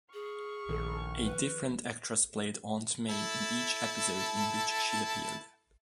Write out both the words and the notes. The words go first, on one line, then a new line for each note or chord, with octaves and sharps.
A different actress played Aunt May in each episode in which she appeared.
G#4 C#6 F6
A#1 D#3 A4
F3 B4
E4 A4 A5